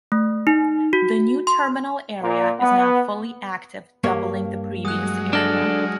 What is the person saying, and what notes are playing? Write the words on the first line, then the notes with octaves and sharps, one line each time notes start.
The new terminal area is now fully active, doubling the previous area.
A3
D#4
F#4
C6
A#2
B3
G2 A#3 C#5
F#3 G#3 D#6 F#6
D4 A4 F6 A#6 F#7